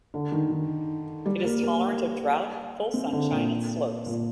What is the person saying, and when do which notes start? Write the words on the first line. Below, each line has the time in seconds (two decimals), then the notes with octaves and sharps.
It is tolerant of drought, full sunshine and slopes.
0.14 D3
0.32 D#3
0.51 D#3
1.26 G3
1.44 A#3
1.63 A#3
2.94 C4
3.13 D3
3.32 A#2
4.06 A#2